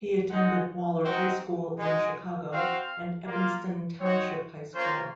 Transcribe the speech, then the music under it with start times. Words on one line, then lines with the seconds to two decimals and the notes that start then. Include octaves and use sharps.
He attended Waller High School in Chicago and Evanston Township High School.
0.30 G#3 D#4 F#4 F#5
1.04 G#3 C4 D#4 F#4
1.78 G#3 D#4 F#4
2.52 C4 F#4 F5
3.26 A#3 F4
4.00 C4 D#4 F#4 C#5
4.74 A#3 C#4 F4 C5